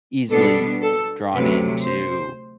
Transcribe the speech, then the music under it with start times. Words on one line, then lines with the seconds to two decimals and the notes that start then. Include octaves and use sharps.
easily drawn into,
0.30 B2 G3 B3 D4 A4
0.82 A4
1.33 D2 C3 F#3 A3 B4
1.85 C5